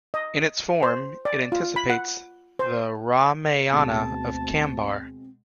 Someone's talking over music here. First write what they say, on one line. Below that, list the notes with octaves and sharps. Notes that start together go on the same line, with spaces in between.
In its form, it anticipates the Ramayana of Kambar.
D#5
C5
D5
F4
B5
F#5
C5
D2 B2 G#3 C4 A5